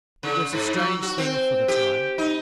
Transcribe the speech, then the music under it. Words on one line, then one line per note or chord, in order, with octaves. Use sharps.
It was a strange thing for the time.
C#3
G#2
F#3
F#4
C4
G4
D#4